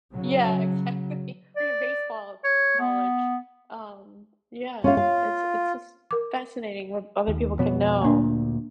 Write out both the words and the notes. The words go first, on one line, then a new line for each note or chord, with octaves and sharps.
yeah, exactly, or your baseball knowledge. Um yeah, it's it's just fascinating what other people can know
C#3 F#3
D5
C#5
B3
C#4 F4 F5
F5
A#4 D6
D#2
F2 B2 B3 C#5
D2 A#2 A#3 D4